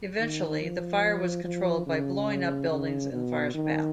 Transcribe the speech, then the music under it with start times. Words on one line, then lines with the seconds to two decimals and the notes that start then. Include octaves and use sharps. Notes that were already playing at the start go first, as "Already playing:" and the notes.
Eventually the fire was controlled by blowing up buildings in the fire's path.
0.19 D#3
0.61 F3
1.44 F3
1.86 C#3
2.70 C#3
3.12 B2
3.54 D#3